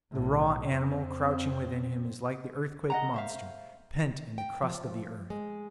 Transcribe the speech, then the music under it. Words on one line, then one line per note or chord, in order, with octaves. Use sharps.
The raw animal crouching within him is like the earthquake monster pent in the crust of the earth.
B1 A2
F2 C4
D#5 F#5 A#5
C5 E5 F5
G5
F3
G#3